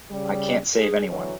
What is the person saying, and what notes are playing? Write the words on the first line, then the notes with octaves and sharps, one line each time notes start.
I can't save anyone.
C#3 G3
G#4
D3 E3 F#3